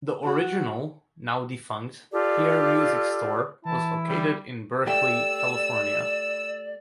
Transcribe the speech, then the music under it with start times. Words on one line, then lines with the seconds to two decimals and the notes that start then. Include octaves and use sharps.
The original, now-defunct Hear Music Store was located in Berkeley, California.
0.23 F#4
2.12 F4 G4 A4 D5
3.65 E3 E4 A5
4.08 G3
4.87 A3 G4 D5 E6